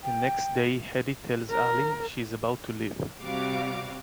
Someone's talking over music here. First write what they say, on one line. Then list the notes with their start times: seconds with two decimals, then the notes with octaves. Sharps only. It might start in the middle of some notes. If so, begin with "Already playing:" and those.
The next day Hedy tells Allie she is about to leave.
0.04 G5
1.50 A#4
3.21 C3 G3 F#4 F5 D6